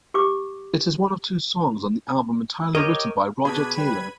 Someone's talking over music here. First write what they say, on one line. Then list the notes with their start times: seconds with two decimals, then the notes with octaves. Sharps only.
It is one of two songs on the album entirely written by Roger Taylor.
0.14 G4 D6
2.75 G4 A#4 C#5 D#5
3.45 B2 D4 G#4 B5 G#6 D#7
3.78 G3 B4